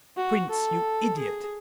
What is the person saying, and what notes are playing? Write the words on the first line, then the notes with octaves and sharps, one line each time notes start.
"Prince, you idiot!"
F#4
A4
G#4